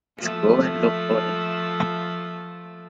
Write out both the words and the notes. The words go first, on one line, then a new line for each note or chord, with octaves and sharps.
Let's go and look for him!
F3 A3